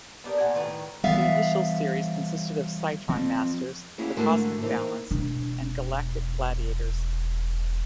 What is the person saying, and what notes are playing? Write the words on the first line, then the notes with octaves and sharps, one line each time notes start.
The initial series consisted of "Cytron Masters", "The Cosmic Balance" and "Galactic Gladiators".
B3 D4 G4 A#4
A#2 F#5 G#5 A#5
A2 D#3 B4
E3 G3 B3 E5 F5
F3 C4
A#3 C#4 E4 F#4 G#4
G#2 D3 A3 A#3 E4 F#4
E3 A#3 C4 D#4
E1 D4